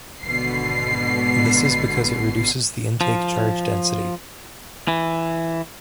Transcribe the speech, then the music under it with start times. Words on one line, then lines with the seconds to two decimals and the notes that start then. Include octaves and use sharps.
This is because it reduces the intake charge density.
0.23 G#1 B2 D3 C7
3.01 F3
4.88 E3